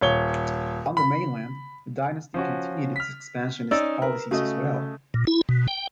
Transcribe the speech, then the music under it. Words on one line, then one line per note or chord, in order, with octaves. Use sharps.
On the mainland, the dynasty continued its expansionist policies as well.
D#1 C#5 G7
B5
F3 C#4 F#4
F6 B6
C#4 D#4 D5 E6
A#4 B4
C#3 A3 F#4 D#5
A#2
E4
B2
G5